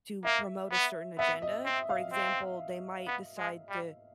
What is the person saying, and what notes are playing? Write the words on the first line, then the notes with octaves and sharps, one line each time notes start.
to promote a certain agenda, for example, they might decide to
A#3 E5
B3
B3 E5
D#5
C4
F5
C4
B3
G#3
G3